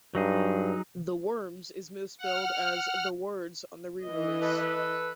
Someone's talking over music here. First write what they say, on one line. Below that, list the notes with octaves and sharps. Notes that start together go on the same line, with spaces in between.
"The Worms" is misspelled as "The Words" on the re-release.
G2 F#3 D#4 G#4
F#5 F6
E3 D#5
A4 B4